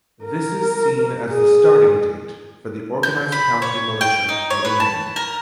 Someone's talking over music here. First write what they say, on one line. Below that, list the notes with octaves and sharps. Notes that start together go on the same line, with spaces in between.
This is seen as the starting date for the organised county militia in England.
A#4
G#4
G6
B5
C#5
G5
D#4
C#5
B4
A5
A#4